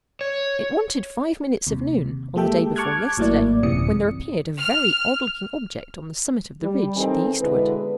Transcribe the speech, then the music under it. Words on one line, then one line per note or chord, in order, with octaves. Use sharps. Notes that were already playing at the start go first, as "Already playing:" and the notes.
It wanted five minutes of noon, on the day before yesterday, when there appeared a very odd-looking object on the summit of the ridge of the eastward.
C#5
D#2 C3
G#3 A#3 G4 A4 E5 G5
A5 C#6 D6 F6 F#6 G#6
G#1 A2 F#3 A#3 E4 D5
A1 F#2 C3 E3 D#6 C#7
F6
G3
D#3 E3 C4 D#4 G#4 A4
B2 D3 G#3 E4 B4